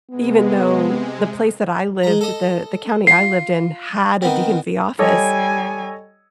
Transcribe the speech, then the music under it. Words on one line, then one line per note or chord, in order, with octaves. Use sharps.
even though the place that I lived the the county I lived in had a DMV office,
C3 G#3 B3
G#3 A#5
A4 D#5
F4 C7
D#3 B3 C4
G3 A4 C#5 D#5 G#5